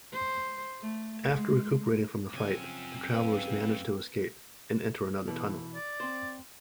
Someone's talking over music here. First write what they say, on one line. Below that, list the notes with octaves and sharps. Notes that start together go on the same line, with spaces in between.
After recuperating from the fight, the travelers manage to escape, and enter another tunnel.
C5
A3
G#3
F#2 C#3 F3 C4 G#5
B4 F5
B2 E3
D5
C4 C5